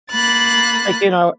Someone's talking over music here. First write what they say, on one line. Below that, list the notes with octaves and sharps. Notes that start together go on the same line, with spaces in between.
like, you know
A#3 B5 F#6 A6